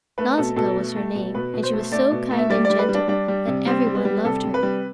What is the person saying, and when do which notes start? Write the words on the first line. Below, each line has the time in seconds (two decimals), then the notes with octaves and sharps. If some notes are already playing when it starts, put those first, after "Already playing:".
Nausicaa was her name, and she was so kind and gentle that every one loved her.
0.18 A3 B4
0.38 B2 A4
0.56 B2 A4
0.77 A3
0.96 A3
1.15 B2
1.34 B2 B4
1.54 B2
1.63 C5
1.73 A3
1.92 A3 D5
2.12 B2
2.31 A3
2.38 E5
2.50 G3 D5
2.65 D5
2.70 G3
2.79 B4
2.89 G3
2.94 D4
3.08 G3 D4
3.28 G3
3.47 C3
3.66 G3 C4
3.86 G3
3.95 B3
4.05 G3
4.25 C3 A4
4.44 C3
4.54 B4
4.63 G3